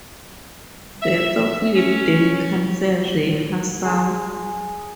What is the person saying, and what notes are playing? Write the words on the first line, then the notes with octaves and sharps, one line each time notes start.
Death of Lib Dem Councillor Ray Hassall.
E5
C#4
G#4 C6